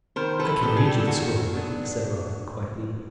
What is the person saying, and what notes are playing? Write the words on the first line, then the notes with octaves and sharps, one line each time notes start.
"I can read you the scroll, Will," said Robin, quietly.
D#3 A#4 C5
A4 B4
F#3 B3 D4 G4 A4
G#4
G4 A4
A4
D#3 F#4 G#4
F#3 B3 D4